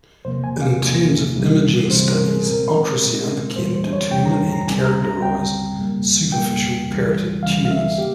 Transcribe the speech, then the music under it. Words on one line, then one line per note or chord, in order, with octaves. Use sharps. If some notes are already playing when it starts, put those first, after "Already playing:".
In terms of imaging studies, ultrasound can determine and characterize superficial parotid tumors.
E2 C3 F3 A#3 C5
G#5
F5
E2 C3 F3 A#3
C2 C3 E3 G3 C4
C2 C3 E3 G3 C4 C5
A#4
G#4
A#2 G#3 C4 A#4
A#2 G#3 C4
E2 E3 G3 C5
C5
C#5
E2 E3 G3 G5
A#5
A#5
C#2 C#3 G3 C4 G#5
A#5
A#5
C#2 C#3 G3 C4 G5
F2 C#3 G3 A#3
F2 C#3 G3 A#3 G5
C#2 C#3 E3 G3
C#2 C#3 E3 G3 F5
F5
E5
A#3 G4